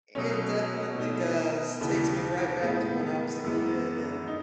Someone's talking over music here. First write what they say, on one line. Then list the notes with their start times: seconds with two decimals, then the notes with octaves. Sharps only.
It definitely does, takes me right back to when I was a kid, and
0.15 B2 F#3 A3 C#4
0.98 B2 A3 D#4
1.81 D#2 C#3 E3
2.62 A2 G#3 B3
3.44 F#2 E3 G#3 B3
4.27 D#4